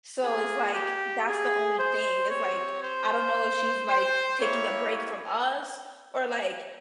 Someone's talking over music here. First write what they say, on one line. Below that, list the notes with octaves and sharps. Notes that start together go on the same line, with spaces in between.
so it's like, that's the only thing. It's like, I don't know if she's, like, taking a break from us or, like,
A#3 F4 G#4
G4
G#4
C5
C4 G4 C#5
C5
C5
A#3 E4 G4 C#5